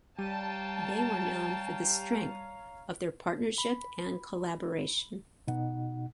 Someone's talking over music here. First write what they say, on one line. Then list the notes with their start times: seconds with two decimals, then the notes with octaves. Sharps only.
They were known for the strength of their partnership and collaboration.
0.19 G3 C#5 F5 G5 A5 A#5 D#7
3.58 B5
5.47 B2 D#4 F#5